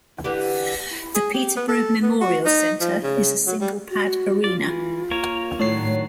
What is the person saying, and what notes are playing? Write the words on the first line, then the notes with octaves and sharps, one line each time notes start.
The Peterborough Memorial Centre is a single-pad arena.
D3 E3 G4
G#4
G4
B3
A4
B3
F#4
D#4
F3
C#3
F#3
G3
F#4
F4 D5
E3
A#3 A#4 C#5
A2 D#3 F#3 D4 C#5 C7